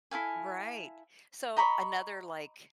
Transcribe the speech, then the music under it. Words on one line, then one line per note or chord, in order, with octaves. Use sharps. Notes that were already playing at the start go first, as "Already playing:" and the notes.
Right. So, another, like,
E4 A4 F5 G#5
D#5 A#5 B5 C#6